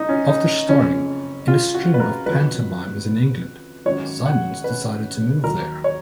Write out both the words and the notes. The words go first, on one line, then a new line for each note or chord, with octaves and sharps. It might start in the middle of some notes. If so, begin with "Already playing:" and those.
After starring in a string of pantomimes in England, Symons decided to move there.
Already playing: F#1 D#4
C#4
D#4
F#1 F2 C#3 C#4
F4
F#4
B4
A#4
F2 D#3 F#3 B4
G#1 F#2 D#3 F#3 C#5
F#5
B4
D#2 D#3 F#3 A#4
C#5